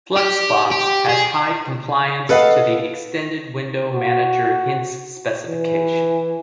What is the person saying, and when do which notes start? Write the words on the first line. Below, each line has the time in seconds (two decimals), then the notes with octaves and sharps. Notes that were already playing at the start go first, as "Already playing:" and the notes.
Fluxbox has high compliance to the Extended Window Manager Hints specification.
0.17 G4
0.71 G4
1.09 G#4
2.29 A4 B4 D#5 F5 F#5
3.93 F#4
5.47 E3